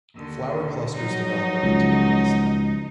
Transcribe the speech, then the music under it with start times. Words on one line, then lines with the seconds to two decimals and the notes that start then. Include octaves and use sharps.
Flower clusters develop at the tip of the stem.
0.15 D#2 D3
0.95 F3 F#3 D#4
1.63 C#2